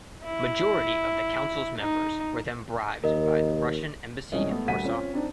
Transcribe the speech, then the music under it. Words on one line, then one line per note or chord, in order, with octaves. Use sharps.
Majority of the Council's members were then bribed by the Russian embassy in Warsaw.
E4
D#4
D#2 A#4 D#5
E1 C2 C#4 D#5
A3 B3
D#1 D2 F#5 B6 D#7
C4 C#4 F4
C4 D4 D#4